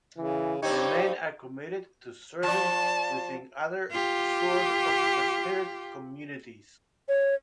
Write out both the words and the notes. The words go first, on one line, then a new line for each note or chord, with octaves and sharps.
The men are committed to serving within other Sword of the Spirit communities.
C#3 E3
G2 C4 D#4 G4 C#5
F3 D5 A5
F4 G4
C#5